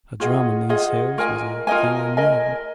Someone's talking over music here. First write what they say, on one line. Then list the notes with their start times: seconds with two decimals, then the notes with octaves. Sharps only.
A drum in these hills was a thing unknown.
0.20 F4 G#4 D#5 F#5
0.69 F4 G#4 D#5 F#5
1.18 F4 A#4 D#5 G#5
1.67 F4 A#4 D#5 G#5
2.17 A#4 D#5 G#5